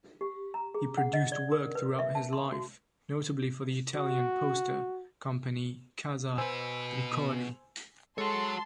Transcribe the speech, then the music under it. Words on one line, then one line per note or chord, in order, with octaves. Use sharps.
He produced work throughout his life, notably for the Italian poster company Casa Ricordi.
G4
A#5
G#4
F#5
D#5
D5
A#4
B4
E5
A5
C6
F#4
F#4
B2 B4 C5 G#5 E6
G#3 F#4 A4 C#5 A5 C6